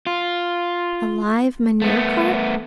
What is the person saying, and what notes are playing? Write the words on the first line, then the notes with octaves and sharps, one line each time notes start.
A live manure-cart?
F4
A3 B3